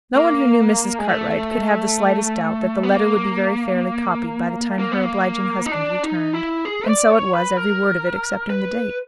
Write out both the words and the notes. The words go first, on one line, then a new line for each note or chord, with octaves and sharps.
No one who knew Mrs. Cartwright could have the slightest doubt that the letter would be very fairly copied by the time her obliging husband returned: and so it was every word of it excepting the date.
A#3
G#3
A3
B3
A#3
A#3
B3
A#3
D#4
D4
D#4
E4
G#4
D5
C#5
B4
A#4
B4